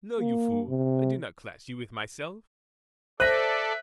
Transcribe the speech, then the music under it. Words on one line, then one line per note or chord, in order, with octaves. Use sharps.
No, you fool, I do not class you with myself!
A#3
C3
A4 C5 D5 E5 F#6 A#6 D#7 F#7